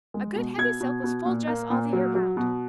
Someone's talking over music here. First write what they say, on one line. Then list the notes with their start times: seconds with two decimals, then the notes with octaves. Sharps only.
A good heavy silk was full dress all the year 'round.
0.14 G#3
0.36 B2
0.58 B2 G#6
0.81 B2
1.04 B2
1.25 A#2
1.47 A#3
1.70 A#2
1.93 F#3
2.15 F#3
2.37 B2